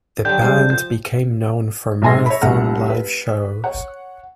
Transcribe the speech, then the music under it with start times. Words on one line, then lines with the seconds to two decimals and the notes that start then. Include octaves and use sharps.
The band became known for marathon live shows.
0.25 D3 F#3 G4 G6
0.42 G3 G#3 C5
0.70 F3 G6
2.02 B1 G#2 E5 G#5 C6 A#6
2.26 C#5 E5 B5
2.41 F1 C2 E5 F#5 F6
2.90 B4
3.64 C#5 F#5